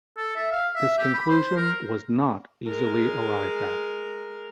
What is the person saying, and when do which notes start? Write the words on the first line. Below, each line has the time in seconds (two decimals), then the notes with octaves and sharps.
This conclusion was not easily arrived at.
0.17 A4
0.36 E5
0.52 F5
0.76 E5
0.98 G4
1.14 B5
1.30 C5
1.57 A#4
2.67 G#3 A#4